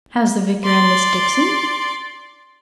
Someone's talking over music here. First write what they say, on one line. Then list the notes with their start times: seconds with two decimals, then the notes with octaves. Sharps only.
How's the Vicar and Miss Dixon?
0.64 D5 C6